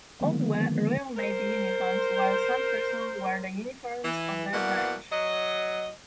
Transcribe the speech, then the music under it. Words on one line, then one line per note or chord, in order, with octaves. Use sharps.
All wear Royal Navy uniforms while some personnel wear the uniforms of their branch.
D3 D#3 F3 G#3 A#3 B3
A#4 C5
E3
B2 E3 A#3 D5 F#5
F#3 D#5